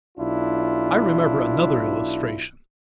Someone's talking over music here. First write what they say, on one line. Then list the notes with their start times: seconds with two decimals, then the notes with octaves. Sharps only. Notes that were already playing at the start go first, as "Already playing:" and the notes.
I remember another illustration.
0.18 B1 D4 E4 F4